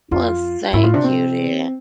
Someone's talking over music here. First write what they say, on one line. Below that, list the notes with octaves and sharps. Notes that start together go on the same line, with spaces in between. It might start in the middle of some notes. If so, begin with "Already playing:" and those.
Well, thank you, dear.
F2 F4
G#2 E4
A2 F4
C3 D4
C4